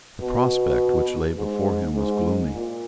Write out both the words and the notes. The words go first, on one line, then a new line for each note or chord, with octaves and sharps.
The prospect which lay before him was gloomy.
B2
G#2
G#2
A#2